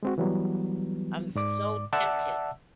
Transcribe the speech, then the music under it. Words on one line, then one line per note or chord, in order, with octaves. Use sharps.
I'm so v tempted.
G#3 C4 F#4
E3 F#3 G3 B3
G#2 D5 D6
D5 E5 F#5 A5 E6